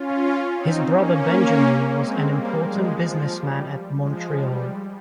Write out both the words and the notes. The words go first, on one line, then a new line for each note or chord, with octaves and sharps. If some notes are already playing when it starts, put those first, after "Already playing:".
His brother Benjamin was an important businessman at Montreal.
Already playing: C#4 F4
C4 D#4
A#3 C#4
G#3 C4
G3 A#3
F3 G#3
F3
G3
F3 G#3
G3